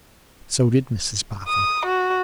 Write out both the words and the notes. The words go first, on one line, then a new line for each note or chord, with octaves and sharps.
So did Mrs Boffin.
D#6
F#4